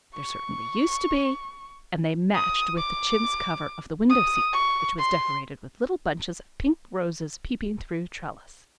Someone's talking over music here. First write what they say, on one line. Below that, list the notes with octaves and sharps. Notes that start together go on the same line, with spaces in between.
There certainly used to be, and they matched with the chintz cover of the window-seat, which was decorated with little bunches of pink roses peeping through trellis.
C#6
D#6
D6
D#6
C#6
C6